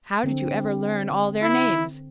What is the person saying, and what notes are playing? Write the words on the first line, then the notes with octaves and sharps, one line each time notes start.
"How did you ever learn all their names?"
D3 C4
E4